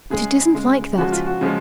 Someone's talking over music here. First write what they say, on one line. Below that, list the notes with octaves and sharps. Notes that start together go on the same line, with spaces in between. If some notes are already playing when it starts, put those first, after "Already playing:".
But it isn't like that.
C#3 G#3 G#4
C#3 G#3
C#3 F3 G#3 F#4
F4
F#4
C#3 F3 G#3